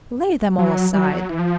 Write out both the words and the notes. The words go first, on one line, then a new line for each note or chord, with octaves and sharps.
Lay them all aside.
F#3
G3
F#3
E3
F3